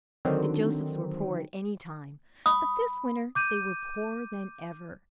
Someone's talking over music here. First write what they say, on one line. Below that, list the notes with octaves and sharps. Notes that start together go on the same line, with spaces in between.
The Josephs were poor at any time, but this winter they were poorer than ever.
D3 D#3 F#3 C4
B5 D#6
D6 G6 D#7